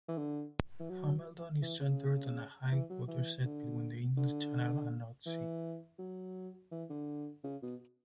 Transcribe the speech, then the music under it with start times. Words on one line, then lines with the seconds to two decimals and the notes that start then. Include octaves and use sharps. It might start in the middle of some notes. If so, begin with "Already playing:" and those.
Hambledon is centred on a high watershed between the English Channel and North Sea.
0.08 E3
0.17 D3
0.80 E3
0.90 F#3
1.62 E3
1.80 C#3
2.72 E3
2.90 F#3
3.08 E3
3.44 D3
4.17 D3
5.26 E3
5.99 F#3
6.72 E3
6.90 D3
7.44 C#3
7.63 B2